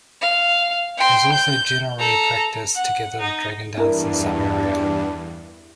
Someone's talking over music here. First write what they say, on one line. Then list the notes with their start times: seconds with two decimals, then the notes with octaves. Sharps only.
It is also generally practised together with Dragon dance in some area.
0.21 F5
0.98 G5 C6
1.33 G6
1.99 A4 A#5
2.75 F#5
3.20 D#4
3.77 E2 G2 D4 E4 A#4